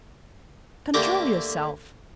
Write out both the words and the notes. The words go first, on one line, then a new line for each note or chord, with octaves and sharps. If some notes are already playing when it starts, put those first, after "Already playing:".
Control yourself!
D3 A3 A#3 G4 A#4 C6